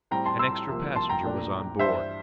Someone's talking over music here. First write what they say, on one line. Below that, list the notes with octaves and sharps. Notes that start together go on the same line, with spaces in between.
An extra passenger was on board.
A2 G3 C4 G5 A#5
A5 C6
C6 E6
C2 C3 F3 A#3
A5 C6
G5 A#5
A#1 A#2 A3 D4
G2 E3 G3 D4 C5 E5